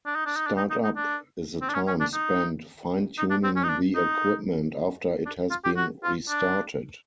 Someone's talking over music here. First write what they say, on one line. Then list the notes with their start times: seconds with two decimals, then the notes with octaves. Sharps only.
"Start-up" is the time spent fine tuning the equipment after it has been restarted.
0.06 D4
0.15 D#4
0.26 D4
0.36 D#4
0.46 D4
0.57 D#4
0.70 D#4
0.84 D#4
0.96 D4
1.62 C4
1.68 D4
1.74 C#4
1.87 C#4
2.00 D4
2.13 D#4
3.18 D#4
3.30 D4
3.44 C4
3.56 C#4
3.63 D#4
3.69 D4
3.95 D#4
5.26 D4
5.51 F4
5.64 G4
5.77 F#4
6.03 F4
6.29 D4